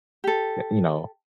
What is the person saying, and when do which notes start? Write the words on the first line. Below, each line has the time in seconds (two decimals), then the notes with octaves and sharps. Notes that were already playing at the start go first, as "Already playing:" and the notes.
eh, you know?
0.24 G4 A4